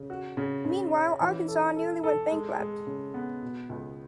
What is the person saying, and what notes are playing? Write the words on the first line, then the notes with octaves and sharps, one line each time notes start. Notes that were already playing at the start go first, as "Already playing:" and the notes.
Meanwhile, Arkansas nearly went bankrupt.
Already playing: C#3
F#4
C#3
C#3
C#4
E3
A4
A4
A4
G#3
G#3
C#3
B3
B2
C#2